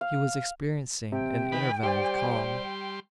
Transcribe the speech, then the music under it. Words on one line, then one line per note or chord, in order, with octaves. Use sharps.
He was experiencing an interval of calm.
F5
C3 G5
D#3 B4 B5
G3 G4 C5 D5 C6